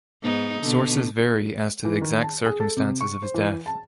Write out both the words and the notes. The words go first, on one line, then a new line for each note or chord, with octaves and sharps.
Sources vary as to the exact circumstances of his death.
G#2 B3 D#4
B2 D3
E3
D#3
A5
G#4
A4
C3
C#6
C5
E3
A5